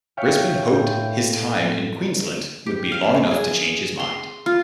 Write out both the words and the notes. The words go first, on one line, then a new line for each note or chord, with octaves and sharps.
Brisbane hoped his time in Queensland would be long enough to change his mind.
C#5 E5 F5 G5
A2 G5
G4
F5
G#4
C6
F4